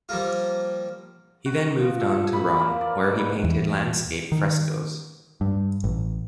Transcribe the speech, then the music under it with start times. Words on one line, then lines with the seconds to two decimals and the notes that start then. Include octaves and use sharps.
He then moved on to Rome where he painted landscape frescos.
0.09 F3 G3 A#3 F4
1.46 F#4
1.80 F3
2.00 A4
2.33 B5
2.60 A#3
2.81 D5
3.04 G#2
3.18 B4
3.44 E2
4.32 D#3
5.41 G2
5.84 A1